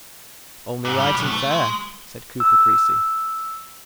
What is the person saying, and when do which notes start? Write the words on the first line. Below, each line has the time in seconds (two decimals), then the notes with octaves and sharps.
"Only right and fair," said Cooper Creasy.
0.85 G#2
1.00 G3
1.14 B1
1.27 A3
1.50 G#3
2.40 E6